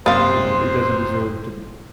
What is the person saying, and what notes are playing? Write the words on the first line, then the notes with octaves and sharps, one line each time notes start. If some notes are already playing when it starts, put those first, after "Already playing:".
you know, it doesn't deserve to
F#2 C3 A#3 C5 F5 C6 D#6 A6